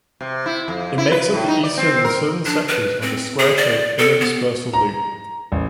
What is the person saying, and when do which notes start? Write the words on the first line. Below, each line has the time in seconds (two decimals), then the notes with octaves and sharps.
It makes up the eastern and southern sections on the square-shaped Inner Dispersal Loop.
0.21 C3
0.46 E4
0.68 F2
0.98 E4
1.12 B4
1.34 A2
1.48 D#4
1.63 D5
1.78 C4
2.04 A#4
2.46 D4
2.68 B4
3.02 C4
3.39 G#4
3.58 D5
3.98 A4
4.21 B3
4.73 A#5
5.52 A1